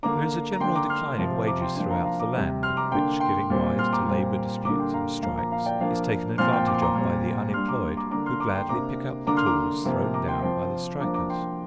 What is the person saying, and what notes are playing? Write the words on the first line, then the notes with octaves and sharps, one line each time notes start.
There is a general decline in wages throughout the land, which, giving rise to labour disputes and strikes, is taken advantage of by the unemployed, who gladly pick up the tools thrown down by the strikers.
D3 A#3 D4 A#5 D6
A#5
D3 A#3 D4 G5 C6
A#5 D6
C6 F6
C3 F3 C4
A#5 D6
G5 C6
F3 A#3 D4 G5 C6
F5 A#5
F5 A#5
A#5 D6
C3 G3 C4
C6 F6
A#5 D6
D3 A#3 D4 G5 C6
G5 C6
A#2 G3 C4
C6 F6
A#5 D6
A#2 G3 C4
D3 G3 A#3 D4 A#5 D6
G5 C6
F5 A#5
A#2 F3 A#3 F5 A#5
F5 A#5
F5 A#5
D5 G5
F3 A#3 D4 F5
A#2 F3 C4 C6 F6
G5 C6
D6
C6
A#5 D6
A#2 G3 C4
A#2 G3 D4 C6 F6
A#5 D6
A#5 D6
D3 A#3 D4 A#5 D6
C6 F6
A#5 D6
G5 C6
C3 A#3 D4 A#5 D6
D3 A#3 D4 A#5 D6
C6 F6
A#5 D6
C3 F3 A#3
A#5 D6
G5 C6
F3 C4 G5 C6
F3 A#3 D4 A#5 D6
A#5 D6
G5 C6